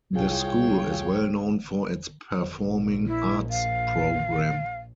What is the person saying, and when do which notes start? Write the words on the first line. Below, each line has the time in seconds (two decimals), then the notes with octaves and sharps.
The school is well known for its performing arts program.
0.15 C2 F4 G#4 C#5 G5
2.58 A#1
3.07 E4
3.50 F5